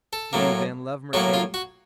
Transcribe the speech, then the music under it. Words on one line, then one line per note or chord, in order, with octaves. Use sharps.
"Do you, then, love Mercedes?"
A4
A2 F#3 A#3
A2 F#3 A#3 F#4
F4
F#4